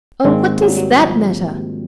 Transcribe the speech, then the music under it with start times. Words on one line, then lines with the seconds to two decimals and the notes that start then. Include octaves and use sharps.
'Oh, what DOES that matter!
0.24 G#2 D#3 G#3 A#3 C4
0.62 F#3
0.70 G3
0.77 F#3
0.98 F3